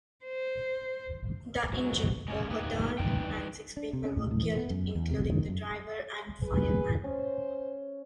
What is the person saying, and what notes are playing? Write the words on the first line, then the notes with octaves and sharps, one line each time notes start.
The engine overturned and six people were killed including the driver and fireman.
C5
G#2 F#3
G#3 A#3 C#4
A#3 D#4 G4 G#4 B4
G2 E3 G3 D#4 B4 G5
D4
C3
C#4
A2
A2
E3
B3
F#2
E2
C3
D#3
F#2
G#4 B4
C#4 C5